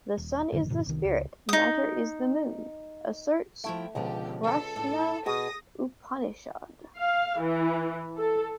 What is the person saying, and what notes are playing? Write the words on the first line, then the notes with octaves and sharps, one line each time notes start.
The sun is the spirit, matter is the moon, asserts Prashna Upanishad.
D#1
A1 F#2 D3 D#3
F1 G#2 B2 D#3
C2 D#3
C#2
D#4 D#6
F3 A3 E4 G5
C#2 B2 D3 F3 G4
A4
A2 D4
B2 G#4 D#6 A#6
F5
E3
A4